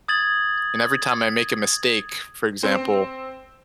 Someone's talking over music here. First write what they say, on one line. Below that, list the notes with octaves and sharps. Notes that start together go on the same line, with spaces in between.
and every time I make a mistake, for example,
D#6 G#6 A6 F#7
C4